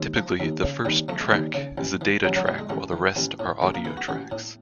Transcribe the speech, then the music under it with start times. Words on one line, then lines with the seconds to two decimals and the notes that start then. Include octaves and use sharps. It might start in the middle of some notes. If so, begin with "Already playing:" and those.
Typically the first track is a data track while the rest are audio tracks.
Already playing: D#2 G#3
0.16 F3
0.40 D#2
0.63 C#3
0.85 D#2 G3
1.08 F3 A3
1.21 G#3
1.31 D#2 G3
1.54 C#3
1.78 A1
2.01 E3
2.24 A1 F#3
2.36 F#3
2.46 A2 G3
2.58 G#3
2.69 A1 A3
2.93 E3
3.16 A1
3.39 A2
3.62 A1 A3
3.74 A#3
3.85 E3 E4
3.97 F#4
4.08 A1 F#4
4.31 A2